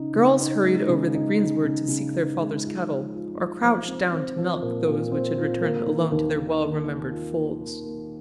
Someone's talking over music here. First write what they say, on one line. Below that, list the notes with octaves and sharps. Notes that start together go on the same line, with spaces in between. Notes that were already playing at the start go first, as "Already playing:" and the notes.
Girls hurried over the greensward to seek their fathers' cattle, or crouched down to milk those which had returned alone to their well-remembered folds.
Already playing: C#3 D#4
C#3
D#4
G#3
C#3
D#4
D#4
C#3
C#3
D#4
G#3
F4
F3
F4
F4
F3
C4
C4
F3
A#2
A#2
C4
F4
A#3
D#3
D#2
D#3
A#3
A#3
F4
A#3
D#3
A#3